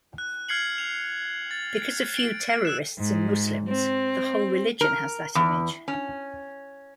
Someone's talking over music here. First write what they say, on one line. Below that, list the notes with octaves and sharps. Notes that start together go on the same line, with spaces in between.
Because a few terrorists are Muslims, the whole religion has that image.
F#6
F6 G#6 C7 C#7 F#7
F7
A6
D7
E6 F#6 E7
G#2
C4
A#4
E2
C#4